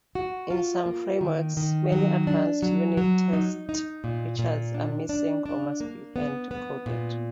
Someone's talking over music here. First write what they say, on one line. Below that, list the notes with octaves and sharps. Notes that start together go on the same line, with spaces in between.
In some frameworks many advanced unit test features are missing or must be hand-coded.
F#4
F4
A#3
D#3
D#3
F#3
D4
F#3
F#3
D#4
D#4
A#2
A#2
D4
D4
D4
A#3
B3
B3
A#2